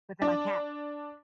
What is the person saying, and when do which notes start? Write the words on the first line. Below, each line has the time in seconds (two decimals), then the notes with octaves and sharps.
but then my cat
0.22 D4